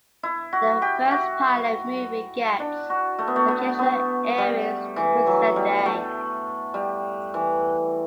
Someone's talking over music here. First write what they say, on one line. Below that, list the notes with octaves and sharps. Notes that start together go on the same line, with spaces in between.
The first pilot movie gets occasional airings to present day.
E4
F#4
G4
G4
F#4
D4
F#4
A3
B3
A3
B3
B3
G3
E3
F#3
G3
G3
A3
G3
E3